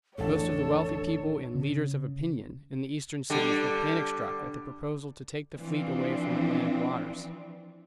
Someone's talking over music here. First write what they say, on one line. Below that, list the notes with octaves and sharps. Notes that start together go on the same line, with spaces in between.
Most of the wealthy people and "leaders of opinion" in the Eastern cities were panic-struck at the proposal to take the fleet away from Atlantic waters.
A1 F2 G#2 D4 A4 C#5
C#3
D3 G3
E3 F3 C4 D4